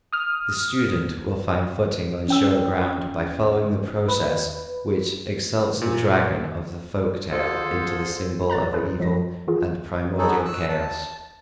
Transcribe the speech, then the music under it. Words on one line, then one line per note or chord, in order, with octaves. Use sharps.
The student will find footing on surer ground by following the process which exalts the dragon of the folk tale into the symbol of evil and primordial chaos.
D#6 F6
C#4 G5 E6
B4
A#2
D3 F4 G#4 A4 C5
A#5 F#6 A6
E4 G#4 A4 B4 C#5
F3 D#5 A#6
E3 F4 G#4
B3 D#4 F#4 G#4 A4
E6 F#6
A5